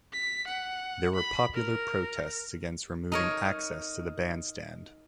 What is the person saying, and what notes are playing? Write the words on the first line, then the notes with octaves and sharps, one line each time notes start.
There were popular protests against removing access to the bandstand.
B6
F#5
B5
A#4
D#4 A#4 C#5